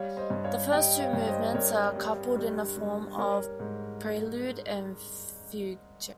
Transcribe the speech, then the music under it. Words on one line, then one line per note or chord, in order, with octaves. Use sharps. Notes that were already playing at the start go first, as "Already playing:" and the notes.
The first two movements are coupled in a form of prelude and fugue.
Already playing: G3 C#5 F5
C5 D#5
G2
C#5 F5
G3 D#5 G5
C#5 F5
G2
C5 D#5
G2 A#4 C#5
G3
G3
G3
G3 A#4 C#5
G#2